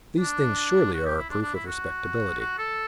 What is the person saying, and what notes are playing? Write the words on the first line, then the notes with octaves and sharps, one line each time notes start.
These things, surely, are a proof of respectability.
D4
F#4
G4
E4
D4
D4
E4
F#4
F#4
A4